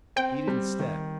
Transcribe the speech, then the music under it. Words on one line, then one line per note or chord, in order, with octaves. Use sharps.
He didn't step.
C4 G5
G3
D#3